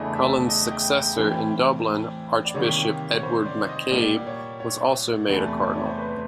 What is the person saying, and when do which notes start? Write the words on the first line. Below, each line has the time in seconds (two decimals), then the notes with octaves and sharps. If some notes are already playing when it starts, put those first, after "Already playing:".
Cullen's successor in Dublin, Archbishop Edward MacCabe was also made a cardinal.
Already playing: E2 C#3 E3 A3 D4 D#5
0.14 E5
0.49 D#5
0.71 G5
0.95 G5
1.17 A2 E3 G3 C4 G5
2.45 D5
2.54 C3 D#3 G3 A#3 C#5
3.14 C#5
3.23 C5
3.46 D5
3.69 D#5
3.91 A#2 G3 A#3 D5
4.16 D5
4.27 C#5
4.60 C#5
5.29 E2 C3 E3 A3
5.64 D5
5.75 C#5
5.86 C5
5.98 B4